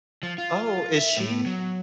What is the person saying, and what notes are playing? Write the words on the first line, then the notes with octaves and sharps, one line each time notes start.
Oh, is she
F3
F4
E5
A2
F#3